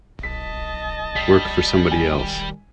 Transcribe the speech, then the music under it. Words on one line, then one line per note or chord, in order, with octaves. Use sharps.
Work for somebody else.
B1 D#5 A5 B6
G3 B6 C7
D#3 G#5